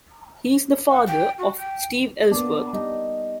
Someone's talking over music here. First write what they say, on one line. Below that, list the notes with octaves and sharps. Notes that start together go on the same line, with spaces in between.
He is the father of Steve Ellsworth.
F#5
G5
F#4
G5
A#3 B3 D4
G3 D#4